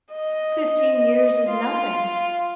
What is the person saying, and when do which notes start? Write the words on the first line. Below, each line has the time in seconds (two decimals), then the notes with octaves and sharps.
Fifteen years is nothing.
0.13 D#5
1.49 F4